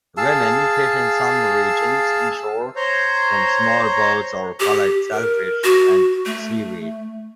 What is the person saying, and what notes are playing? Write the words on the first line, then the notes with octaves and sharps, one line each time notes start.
Women fish in some regions inshore from small boats or collect shellfish and seaweed.
G#4 F5 A5 E6
C5 C#5 A#5 G6
G4
A#4
F#4
A3